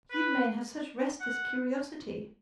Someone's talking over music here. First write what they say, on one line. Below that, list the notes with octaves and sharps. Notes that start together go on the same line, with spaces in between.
You men have such restless curiosity!
B4
F#5